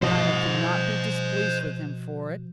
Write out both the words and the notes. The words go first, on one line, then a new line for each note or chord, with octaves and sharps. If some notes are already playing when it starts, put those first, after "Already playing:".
Dinah could not be displeased with him for it.
B2 F3 C5 D#5